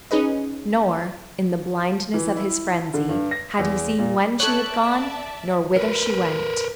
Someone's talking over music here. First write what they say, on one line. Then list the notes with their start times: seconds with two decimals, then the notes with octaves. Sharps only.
Nor, in the blindness of his frenzy, had he seen when she had gone nor whither she went.
0.11 C#4 D#4 G#4 B4 D#5
2.14 E3
2.36 E4
2.94 D3
3.09 G2
3.31 A#6
3.59 E2
3.99 A#2
4.40 A4 C#5 D5 E5 A5 F#6 F#7
5.76 A#4 B4